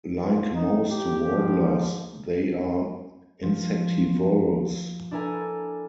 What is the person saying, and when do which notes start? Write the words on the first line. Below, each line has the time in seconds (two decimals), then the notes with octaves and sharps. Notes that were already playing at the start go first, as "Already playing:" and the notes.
Like most warblers, they are insectivorous.
0.25 F4
0.54 D#4
0.89 G4
1.25 F3
1.63 G#2
3.43 F3
5.11 D4 E4 A4 A#4 G#5